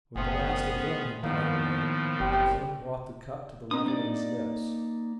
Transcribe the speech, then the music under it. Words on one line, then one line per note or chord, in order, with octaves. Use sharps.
When the last of them had died away, the king brought the cup to the level of his lips.
F#1 A3 B3 C#4 G#4 C5 G5
A2 D#3 F3 A#3 B3
F#1 G3 C4 G4
C4 D4 D#6
A#3 D#4 D5